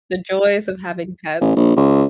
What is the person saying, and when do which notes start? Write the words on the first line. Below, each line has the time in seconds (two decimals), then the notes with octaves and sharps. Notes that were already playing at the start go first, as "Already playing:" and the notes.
the joys of having pets.
1.41 A1
1.56 A#1
1.76 C#2